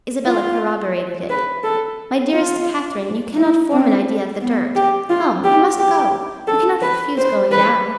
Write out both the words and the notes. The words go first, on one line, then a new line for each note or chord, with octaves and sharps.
Isabella corroborated it: "My dearest Catherine, you cannot form an idea of the dirt; come, you must go; you cannot refuse going now."
F4
B4
A4
F4
E4
C4
B3
G4
F4
G4
G4
A4
B4
C5
B4